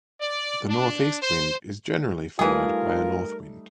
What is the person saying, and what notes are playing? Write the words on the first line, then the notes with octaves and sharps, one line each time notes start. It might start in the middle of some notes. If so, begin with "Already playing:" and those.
The northeast wind is generally followed by a north wind.
D5
D4
C5
E3 G3 A3 D#4 F4 G#4 A#4